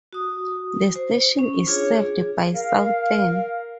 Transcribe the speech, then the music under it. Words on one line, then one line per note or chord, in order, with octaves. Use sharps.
The station is served by Southern.
F#4 D#6
C5
C#4
D4 F4 G#4 C#5
G#4
A#4 F5